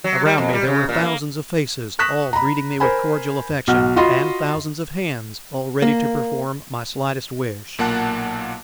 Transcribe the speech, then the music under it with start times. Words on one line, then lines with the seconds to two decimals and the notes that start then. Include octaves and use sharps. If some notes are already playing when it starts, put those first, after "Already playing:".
Around me there were thousands of faces, all greeting me with cordial affection, and thousands of hands all ready to perform my slightest wish.
0.04 F#3
0.25 G3
0.38 F2
0.53 G3
0.67 C#3
0.89 A#2
1.03 A#3
1.99 C#6 D#6 F#6 A#6 B6 E7
2.33 A#5 B5
2.80 A#4 C5 G#5 B5
3.67 B1 F#4 F#5 F6
3.96 F4 F#4 D#5 F5 B5 C6
5.82 A#3
7.78 B1 A#2 A#3 F#5 A5 F#6